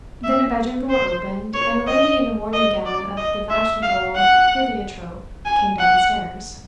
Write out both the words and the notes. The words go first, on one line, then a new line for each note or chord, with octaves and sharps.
Then a bedroom door opened, and a lady in a morning gown of the fashionable heliotrope came downstairs.
E5
C5
C#5
D#5
D#5
D5
D#5
E5
F5
F#5
G#5
F#5